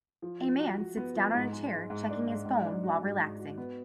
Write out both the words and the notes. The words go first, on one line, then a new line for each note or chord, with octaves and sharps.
A man sits down on a chair, checking his phone while relaxing.
F3
F3
F#4
F#4
B3
F3
G#2
G#3
G#3
G#2
D4
G#2
G#2
D4
F#4
G#2
G#2
F#4
B3